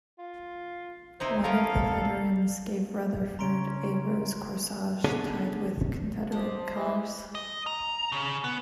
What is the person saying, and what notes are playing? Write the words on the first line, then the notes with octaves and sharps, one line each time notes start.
One of the veterans gave Rutherford a rose corsage tied with Confederate colors.
F4
C3 D#4 E4 C5
B3 C#4 A4 A#4 F5
C#3 G3 C#4 A#5 C6 D7
D3 B3 C#4 G#4 A4
G3 C5 A5 D6 D#6
E3 D#5
D#5
A#5
C#3
B3